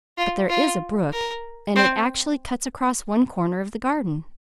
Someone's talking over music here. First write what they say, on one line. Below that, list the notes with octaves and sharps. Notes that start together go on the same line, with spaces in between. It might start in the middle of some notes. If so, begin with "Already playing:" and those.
"But there IS a brook--and it actually cuts across one corner of the garden."
F4
F4
A#4
C4